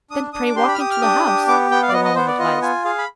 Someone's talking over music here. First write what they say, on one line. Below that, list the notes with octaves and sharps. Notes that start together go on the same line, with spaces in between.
"Then pray walk into the house," the woman advised.
D4 D#6
D4 D#6
D6
G4 C6
B5
F6
G4 D#6
F6
D4 D#6
G4
B3 D6
B3 G5
F5
D5
B3 D#5
D#5
B3 C5
D5
F4 D#5
F4 G#5
G#4 F5
B5